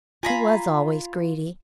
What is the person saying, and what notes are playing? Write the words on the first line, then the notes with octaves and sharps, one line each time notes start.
He was always greedy.
F4 F5 G#5 A#5 B5